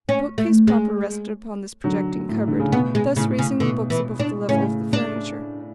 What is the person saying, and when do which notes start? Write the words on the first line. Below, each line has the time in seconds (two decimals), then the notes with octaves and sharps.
The bookcase proper rested upon this projecting cupboard, thus raising the books above the level of the furniture.
0.09 C#4
0.38 A3
0.68 G#3
1.84 D3 F#3
2.29 A2
2.48 D3
2.59 C#3
2.72 B2 B3
2.95 G#3
3.16 A2 C#3
3.39 C#3
3.60 B2 D3
3.90 E3
4.20 D4
4.48 A2 C#3 C#4
4.93 D4